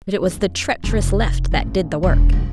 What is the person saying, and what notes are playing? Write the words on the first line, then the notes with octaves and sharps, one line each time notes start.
But it was the treacherous left that did the work.
F2
F1
A1
E1
F3